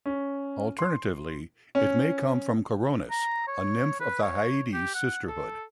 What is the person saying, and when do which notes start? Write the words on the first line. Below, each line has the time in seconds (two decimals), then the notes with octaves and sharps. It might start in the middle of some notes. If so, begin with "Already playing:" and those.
Alternatively, it may come from Coronis, a nymph of the Hyades sisterhood.
0.06 C#4
0.79 C6
1.75 C#4
3.10 A#5
3.47 C#5
4.00 B4
4.23 C#5
4.73 G4
4.95 F#5
5.28 A4